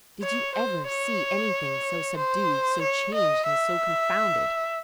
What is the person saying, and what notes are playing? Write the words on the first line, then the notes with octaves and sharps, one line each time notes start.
Did you ever see anything so subdued, so changed, and so confounded?
C#5
C5
C#5
C5
C#5
D#5
E5